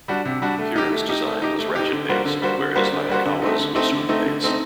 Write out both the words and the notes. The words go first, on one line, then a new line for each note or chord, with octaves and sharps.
Keeran's design was ratchet-based, whereas Hayakawa's was screw-based.
G3 D4 F#4
C3
G3 D4 F#4
A3
D#4 G4
A3
D#4 G4
A3
D#4 G4
A3
D#4 G4
D3
G3 A#3 F#4 C5
D3
G3 A#3 F#4 C5
D3
G3 A#3 F#4 C5
D3
G3 A#3 F#4 C5
D3
A3 C4 D#4
D3
A3 C4 D#4
D3
A3 C4 D#4
D3
A3 C4 D#4